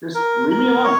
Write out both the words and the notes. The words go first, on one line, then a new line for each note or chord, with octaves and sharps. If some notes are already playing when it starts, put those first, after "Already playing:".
Just leave me alone.
A#4
A#4
C#5